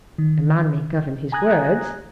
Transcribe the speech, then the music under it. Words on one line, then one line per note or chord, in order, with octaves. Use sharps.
"A man may govern his words."
D#3
G#5 A#5 D#6 F#6 G#6 A#6